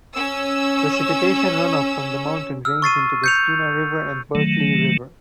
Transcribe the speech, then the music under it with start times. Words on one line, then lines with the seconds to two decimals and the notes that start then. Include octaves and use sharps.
Precipitation runoff from the mountain drains into the Skeena River and Bulkley River.
0.15 C#4 E6
2.65 E6 F6
2.82 C#6 A6 C7 D#7
3.24 G6 C#7 F7
4.35 D#3 F#3 A3